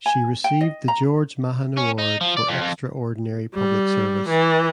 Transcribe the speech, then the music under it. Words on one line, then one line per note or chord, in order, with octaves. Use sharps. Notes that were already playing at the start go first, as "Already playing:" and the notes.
She received the George Mahon Award for Extraordinary Public Service.
G#5
G5
D#5
A#5
C#4
D#4
F3
D5
F2
F2
G3
E3